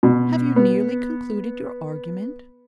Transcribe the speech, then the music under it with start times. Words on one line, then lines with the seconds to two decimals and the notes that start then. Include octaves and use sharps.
"Have you nearly concluded your argument?"
0.03 B2
0.56 B3